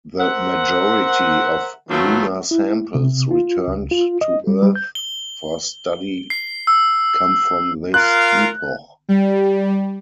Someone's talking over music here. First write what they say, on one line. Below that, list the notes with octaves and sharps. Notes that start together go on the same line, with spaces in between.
The majority of lunar samples returned to earth for study come from this epoch.
A#4 C5 E5 F#5
B2 D#3 F3 F#3 A3
E4
C3
F4
C#2
F4
D#5
G3
G3
G6
G7
C7
E6
F4 A#4 F5 F#6
G3